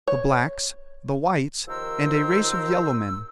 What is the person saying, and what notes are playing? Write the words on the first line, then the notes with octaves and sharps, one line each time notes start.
The blacks, the whites, and a race of yellow men.
C#5
D#2 D#3 F3 A#4 C5 E6